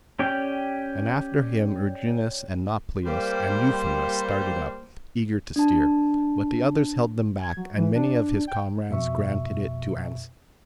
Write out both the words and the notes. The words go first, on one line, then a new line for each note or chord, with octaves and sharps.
And after him Erginus and Nauplius and Euphemus started up, eager to steer. But the others held them back, and many of his comrades granted it to Ancaeus.
C#4 G4 D5 G5
G3 A#3 C5
D4 A5
G#6
F#3
E3
D4
G5
F2 B2 E5 C#6